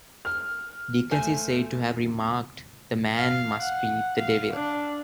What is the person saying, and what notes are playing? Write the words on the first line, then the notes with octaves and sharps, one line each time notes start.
Dickens is said to have remarked, "The man must be the devil".
F6
A3 C5 G#5
F5
F#5
F5
D4